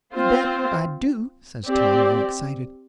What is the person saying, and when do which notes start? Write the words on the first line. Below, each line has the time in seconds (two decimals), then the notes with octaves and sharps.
"You bet I do," says Tom, all excited.
0.13 C4 F4 C5
1.66 C4 G4 D5